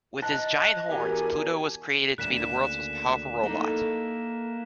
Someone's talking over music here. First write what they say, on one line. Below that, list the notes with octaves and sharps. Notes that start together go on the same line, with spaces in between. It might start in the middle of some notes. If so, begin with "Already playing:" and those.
With his giant horns, Pluto was created to be the world's most powerful robot.
D#5 A5 F#6
E2 F#4 G4 A#4 G#5
D2 C#3 A#3 F#6 B6 E7
A#3 D#4 E4 A4